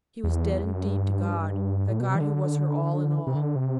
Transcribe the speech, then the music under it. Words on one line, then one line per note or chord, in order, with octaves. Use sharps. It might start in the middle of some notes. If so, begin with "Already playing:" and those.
He was dead indeed to God--that God who was her All in All.
E2
F#2
G2
A2
B2
C3
E3
D3
C3
D3
C3